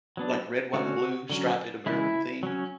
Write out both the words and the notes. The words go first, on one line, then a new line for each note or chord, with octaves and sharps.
like, red, white, and blue, striped, American themed.
F#3 B3 D4
D3 A3 C#4 F#4
D3 F#3 C#4
C#3 E3 G#3 E4
F#3 C#4